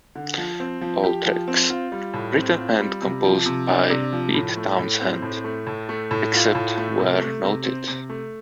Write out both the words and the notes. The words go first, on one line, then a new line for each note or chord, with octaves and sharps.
All tracks written and composed by Pete Townshend, except where noted.
D3
F3
C4
F3
G4
F3
C4
F4
G3
A2
C4
F4
G3
C3
F3
C3
D4
C3
F3
A2
A3
A2
C4
A2
A3
A2
A3
A2
F4
A2
A3
C3
A3
C3
C4
C3
A3